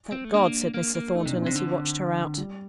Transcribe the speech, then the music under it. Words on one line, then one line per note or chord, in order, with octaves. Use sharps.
'Thank God!' said Mr. Thornton, as he watched her out.
C4
A3
A#3 D4
A#3
A#3
A3 D#4
C3 D4
A#2
C3 C4
D3
G3